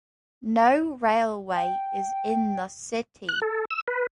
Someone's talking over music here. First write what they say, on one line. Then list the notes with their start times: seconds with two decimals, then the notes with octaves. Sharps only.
No railway is in the city.
1.56 G5
3.29 F#6
3.42 A4
3.71 E6
3.88 B4